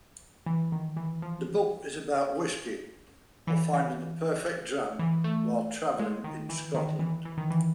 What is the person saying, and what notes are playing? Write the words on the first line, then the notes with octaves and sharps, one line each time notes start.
The book is about whisky, or finding the perfect dram while travelling in Scotland.
E3
D#3
E3
F3
E3
E3
E3
A3
G#3
D#3
E3
D#3
E3
E3
D#3
E3